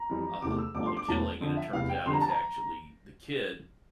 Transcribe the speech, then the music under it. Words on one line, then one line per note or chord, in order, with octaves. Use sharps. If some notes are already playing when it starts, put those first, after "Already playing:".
um, all the killing, and it turns out it's actually the kid
Already playing: A#5
F2 E3 G3
E2 C3 E3 A3 D6
E6
G1 G2 F3 A3 D6
C6
D6
E1 E2 E3 A3 A5
F2 D3 F3
E5
F1 E2 E3 F5
G5
F2 D3 G3 C6
A#5
A5
A#5